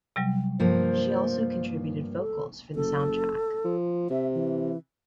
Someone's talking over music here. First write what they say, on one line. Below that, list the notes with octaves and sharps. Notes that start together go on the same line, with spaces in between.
She also contributed vocals for the soundtrack.
C3 F#3 G3
G2 F3 A#3 C5
A4
F#1 A4
F3
C3 E5
E3